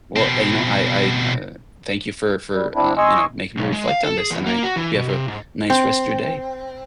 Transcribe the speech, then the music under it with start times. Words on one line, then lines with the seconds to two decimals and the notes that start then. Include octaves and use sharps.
Well, uh, you know, I I, uh, thank you for for, um, you know, making me reflect on this, and I hope you have a nice rest of your day.
0.16 B2 C4
2.52 G3
2.75 C4 D4 E4
2.98 D#5 G#5 C6 C#6 E6
3.57 B1
3.72 G#3
3.88 F5
4.04 A4
4.17 G#4
4.30 E2
4.46 A#3
4.63 F#4
4.76 E3
4.95 B2
5.09 C3
5.28 G#2
5.70 C4